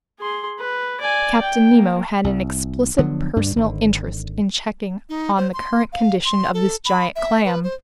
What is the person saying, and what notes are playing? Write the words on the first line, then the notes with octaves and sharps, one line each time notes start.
Captain Nemo had an explicit personal interest in checking on the current condition of this giant clam.
G#4 C6
B4
D5 G#5
G5
A#3
C2
D3 F3 F#3 B3
D2 G2 G3 D4
G#1 D3
D#4
C5
C6
F5
C6
A4
B5
E5
B4
C5